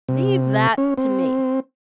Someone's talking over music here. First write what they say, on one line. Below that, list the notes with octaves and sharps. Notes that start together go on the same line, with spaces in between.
"Leave that to me."
C3
C#4
C4